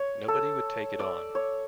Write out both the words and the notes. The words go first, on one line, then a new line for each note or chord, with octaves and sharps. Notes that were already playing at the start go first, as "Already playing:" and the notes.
Nobody would take it on.
Already playing: C#5
A4
D5
C#5